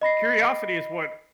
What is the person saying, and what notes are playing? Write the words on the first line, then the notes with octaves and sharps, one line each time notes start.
curiosity is what
D#5 B5 A#6 C7